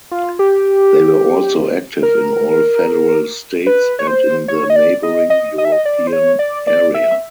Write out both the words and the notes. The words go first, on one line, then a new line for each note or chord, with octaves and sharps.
They were also active in all federal states and in the neighboring European area.
F4
G4
A#4
B4
C#5
C5
C#5
D#5
D5
D#5
D#5
D#5
E5
D#5
D5
C5
C#5
D5
D5
E5